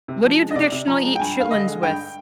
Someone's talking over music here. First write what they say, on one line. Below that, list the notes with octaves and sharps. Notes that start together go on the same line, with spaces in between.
What do you traditionally eat chitlins with?
C3
F3
G#3
D#5
C3 D5
C3
F3 A#5
G#3
G5
G2 G#5
G2 F5
D3 D#5
G#3
G2 G5